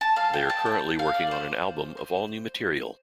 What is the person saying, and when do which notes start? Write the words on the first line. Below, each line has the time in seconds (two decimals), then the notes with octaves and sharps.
They are currently working on an album of all new material.
0.01 A5
0.16 F5
0.34 G5
0.50 A5
0.66 G5
0.99 F5
1.14 D5
1.31 C5
1.97 C5